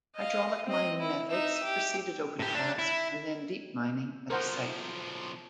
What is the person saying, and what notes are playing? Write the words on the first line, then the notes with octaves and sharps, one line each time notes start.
Hydraulic mining methods preceded opencast and then deep mining at the site.
D#5 F5
C4 D#5
E4
D#4 E5
G4
A2 G4
D4
E4
B1 F3 A#4 C5 F#5